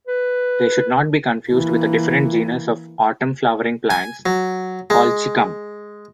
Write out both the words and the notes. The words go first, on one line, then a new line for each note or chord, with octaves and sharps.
They should not be confused with a different genus of autumn-flowering plants, "Colchicum".
B4
E3 A#3
G#5
F#3
G#3